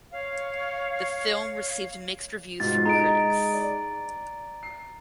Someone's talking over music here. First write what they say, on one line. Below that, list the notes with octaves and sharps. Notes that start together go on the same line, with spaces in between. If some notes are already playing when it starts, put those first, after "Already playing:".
The film has received mixed reviews from critics.
C#5 F5
G#2 B2 F4 A6
G#3 D#4 G#4 A#5 D7
D5
C7